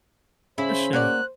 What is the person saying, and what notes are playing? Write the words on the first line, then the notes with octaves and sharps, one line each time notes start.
For sure.
C#3 E4 C5 B5
A#3 F#4 D5 F#6